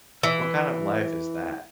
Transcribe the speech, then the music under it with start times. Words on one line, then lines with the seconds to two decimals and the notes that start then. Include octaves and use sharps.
What kind of life is that?
0.23 E3